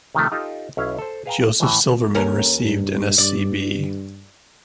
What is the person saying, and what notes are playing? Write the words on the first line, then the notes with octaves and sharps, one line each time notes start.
Joseph Silverman received an Sc.B.
C3 D#3 F3 A3
D#4 F4 G4 A4
B1 C#4 E4 F5
A4 C5
G#4 B4 F5 G5 G#5 A#5
A2 E3
D#2 C#4 A#4
G2
G2 D5